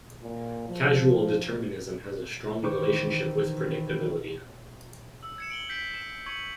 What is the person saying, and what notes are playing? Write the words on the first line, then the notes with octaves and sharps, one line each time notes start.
Causal determinism has a strong relationship with predictability.
A#2
F3
D#3 E3 C5 C#6 D6
E6
G#6 C#7 E7
D7 F#7 G7
G6 B6 C7 D7
E7
C#6 G#6 C#7 F#7